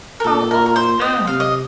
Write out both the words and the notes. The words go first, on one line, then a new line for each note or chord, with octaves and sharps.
I'm almost there.
A#4
A#2 A4
A#4
A#4
C5
D#5
C3 F5
D#5